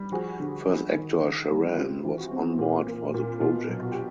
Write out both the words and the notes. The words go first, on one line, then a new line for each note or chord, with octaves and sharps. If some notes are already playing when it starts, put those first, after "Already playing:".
First actor Sharan was on board for the project.
Already playing: G3
F3 F#4 G#4
D3
F3
D#3
D#3
G3
C4 F4 G4
E3
F#4
C4
A#2
A#3
A#2
B2 F4
F#3
F#4
G4